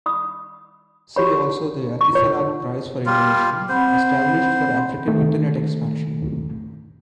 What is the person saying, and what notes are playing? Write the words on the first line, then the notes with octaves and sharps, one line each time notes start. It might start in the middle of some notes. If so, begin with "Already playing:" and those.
See also the Etisalat Prize for Innovation, established for African Internet expansion.
B5 D#6
F#4 G4 C#5 B5
C#6
F4 C#5
G3 F4
C4 C5 F#5 B5
D#3 A3